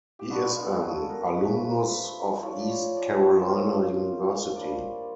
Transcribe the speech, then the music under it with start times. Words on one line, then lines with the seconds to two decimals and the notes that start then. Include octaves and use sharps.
He is an alumnus of East Carolina University.
0.19 G4
0.30 G#3 B3 D4 F#4
0.43 F#4
0.56 F4
0.70 F#4
0.83 G#4
0.96 A4
1.10 A#4
1.23 B4
1.36 A3 C4 F4 B4
1.89 B4
2.43 F3 A3 D4 F4 C#5
2.60 D5
2.70 C#5
2.97 D5
3.10 D#5
3.23 C#5
3.36 C5
3.49 A#3 C#4 F4
4.56 G3 A#3 D4 D5